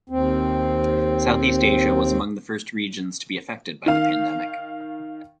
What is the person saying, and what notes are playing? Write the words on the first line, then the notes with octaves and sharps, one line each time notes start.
Southeast Asia was among the first regions to be affected by the pandemic.
D#2 C4
D#3 F5